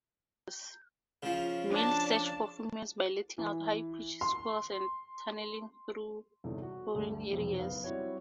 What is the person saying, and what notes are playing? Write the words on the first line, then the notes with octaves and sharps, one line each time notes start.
Males search for females by letting out high-pitched squeals and tunneling through foreign areas.
C#3 F3
D4 A5
E3
C6
G1 E2 C3 D#4 A4
F#4
D2 G2 G3 A3
F1 B1 F2
F#1 B3 F5
G3 C4 E4 F#4 C#5